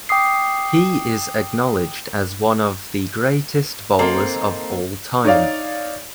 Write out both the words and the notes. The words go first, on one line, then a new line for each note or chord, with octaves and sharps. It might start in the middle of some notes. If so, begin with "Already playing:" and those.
He is acknowledged as one of the greatest bowlers of all time.
G5 D6 D#6 C7
A#3 C4 D#4 A4
D#4 C#5 D5 F5